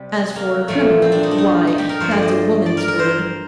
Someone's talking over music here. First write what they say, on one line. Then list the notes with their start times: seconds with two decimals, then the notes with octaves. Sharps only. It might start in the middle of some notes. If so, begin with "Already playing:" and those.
As for criminal--why, that's a woman's word.
Already playing: C3 G3 G4
0.36 A#3
0.68 A#2 F3 A3
1.02 C4
1.12 D4
1.23 D#4
1.31 D4
1.38 D#4
1.67 D#4
1.78 G4
1.89 A#4
2.00 G2 F3 A3 C5
2.11 D5
2.22 D#5
2.66 D5
2.77 A#4
2.88 A#4
2.99 C5